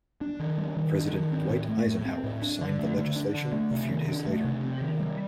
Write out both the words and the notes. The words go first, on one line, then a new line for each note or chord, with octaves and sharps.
President Dwight Eisenhower signed the legislation a few days later.
D4
D#3
G3
D#3
D4
D#3
C4
A2
A3
A2
C4
A2
D4
D3
A3
D3
D4
D3
A3
C3
D#3
D4
A3
C3
C4
D#3
G3